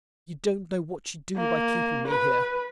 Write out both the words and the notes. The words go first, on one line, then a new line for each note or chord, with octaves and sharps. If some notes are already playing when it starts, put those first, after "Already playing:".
You don't know what you do by keeping me here.
A#3
B4